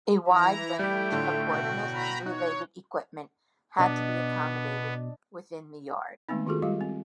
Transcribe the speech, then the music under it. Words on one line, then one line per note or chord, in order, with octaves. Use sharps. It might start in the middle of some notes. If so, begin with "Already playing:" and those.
A wide range of ordnance-related equipment had to be accommodated within the Yard.
E3 E4 A#5
G3 A3 G4 G5
A2 D3 F4
B2 F#4
A#5 B5
D#4 C#5 F#6
B2 B3 D4 D#5
D#3 G#3 A3 B3 C4 D#4
D#3 F4 F#4 G#4 A4
G3 G#3 F4 G4 F5
C4